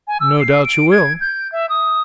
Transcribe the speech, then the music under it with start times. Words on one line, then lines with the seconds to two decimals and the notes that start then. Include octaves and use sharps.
"No doubt you will!"
0.08 G#5
0.20 E6
0.40 C7
0.64 D7
0.92 G#6
1.21 G6
1.52 E5
1.69 D#6